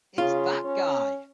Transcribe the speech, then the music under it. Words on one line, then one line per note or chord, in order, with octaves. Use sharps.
It's That Guy!
C#3 F4
C#4